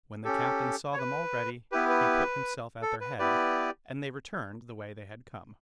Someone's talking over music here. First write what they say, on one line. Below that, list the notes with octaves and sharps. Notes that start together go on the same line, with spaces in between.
When the captain saw them all ready, he put himself at their head, and they returned the way they had come.
C#4 G4 A4
C#5
B4
B3 E4 G4 B4
B4
A4
B4
B3 E4 G4 B4 D5